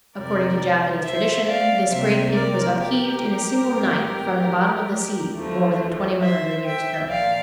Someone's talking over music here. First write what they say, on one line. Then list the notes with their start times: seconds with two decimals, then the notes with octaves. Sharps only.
According to Japanese tradition this great peak was upheaved in a single night from the bottom of the sea, more than twenty-one hundred years ago.
0.16 F2 C3 G3 A#4 D5
1.03 C5 E5
1.46 D5 F5
1.90 C3 G3 A#3 C5 E5
2.33 A#4 D5
2.76 G4 A#4
3.63 A2 G3 C4
5.35 E2 D3 F3 A3
6.22 C5 E5
6.65 E5 G5
7.08 A#2 F3 A#3 D5 F5